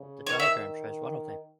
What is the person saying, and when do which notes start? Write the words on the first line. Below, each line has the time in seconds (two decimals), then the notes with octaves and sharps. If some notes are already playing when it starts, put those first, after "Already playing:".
The diagram shows one of them.
Already playing: C#3
0.27 D#3 C#5
0.40 E5